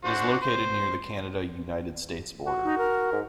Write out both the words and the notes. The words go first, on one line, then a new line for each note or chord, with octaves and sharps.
It is located near the Canada-United States border.
D4 F#4 C5
C5
F#4
D#4
A#4
G#2